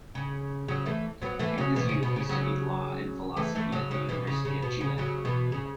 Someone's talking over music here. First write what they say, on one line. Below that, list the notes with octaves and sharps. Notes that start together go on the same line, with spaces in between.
In his youth he studied law and philosophy at the University of Chile.
C#3
C#3 F#3
E3 A3
F#3 B3
E3 A3
C#3 F#3
B2 E3
C#3
B2
C#3
C#3 F#3
E3 A3
E3 A3
C#3 F#3
C#3 F#3
B2 E3
C#3
C#3
B2
C#3
C#3 F#3
B2 E3
C#3